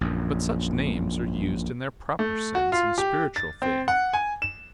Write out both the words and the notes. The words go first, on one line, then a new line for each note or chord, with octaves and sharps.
But such names are used in their proper sense in spiritual things.
A#1 F#2
A3
F#4
F4
G4
A6
C4
F#5
G#5
E7